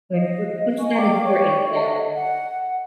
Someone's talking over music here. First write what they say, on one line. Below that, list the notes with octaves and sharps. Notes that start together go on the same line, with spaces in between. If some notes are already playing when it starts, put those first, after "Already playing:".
Like, wh what's that important that
D#5 F5
D#5 G#5 C#6
D5 F5 G5 D6
C#5 D5 G5 C#6
A4 D#5 E5
F#5